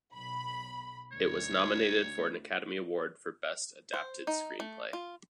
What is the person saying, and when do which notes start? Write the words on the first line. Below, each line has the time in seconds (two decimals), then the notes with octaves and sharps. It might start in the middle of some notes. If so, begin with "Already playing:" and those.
It was nominated for an Academy Award for Best Adapted Screenplay.
0.12 B1 B5
1.13 D2 C#5
3.94 C5
4.27 D#4
4.60 A3
4.93 F4